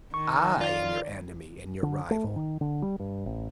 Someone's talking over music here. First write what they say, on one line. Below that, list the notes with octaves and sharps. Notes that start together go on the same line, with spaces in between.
I am your enemy and your rival.
D#3 C#6
F4 D5
D3
A3
G#2
D#3
D3
G3
G2
A1